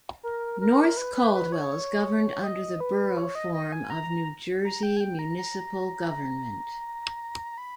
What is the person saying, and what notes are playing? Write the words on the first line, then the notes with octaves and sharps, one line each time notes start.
North Caldwell is governed under the Borough form of New Jersey municipal government.
A#4
A#4
B4
B4
B4
C#5
D#5
B4
C#5
D#5
D#5
G#5
A#5
A#5
G5
G#5
G5
A#5
A#5
A#5
B5